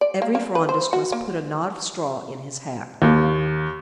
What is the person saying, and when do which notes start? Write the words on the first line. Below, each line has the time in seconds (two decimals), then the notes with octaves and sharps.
"Every Frondist must put a knot of straw in his hat."
0.01 D5
0.22 A#3
0.35 A#3
0.55 B4
0.69 C5
0.93 F#4
1.12 A#3
3.02 D#2